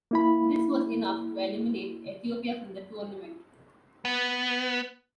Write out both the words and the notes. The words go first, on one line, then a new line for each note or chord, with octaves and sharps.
This was enough to eliminate Ethiopia from the tournament.
A#3 E4 B5
B3